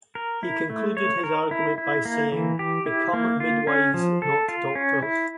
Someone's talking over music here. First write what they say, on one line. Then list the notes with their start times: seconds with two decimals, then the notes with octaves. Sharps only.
He concluded his argument by saying Become Midwives, not doctors!
0.15 A#4
0.43 E4
0.70 A3
0.97 C#5
1.24 A#4
1.51 E4
1.78 E4
2.05 A#3
2.32 E3
2.59 G4
2.86 E4
3.13 A#3
3.40 F4
3.67 C#4
3.94 F3
4.22 A4
4.48 F4
4.75 C#4
5.03 E4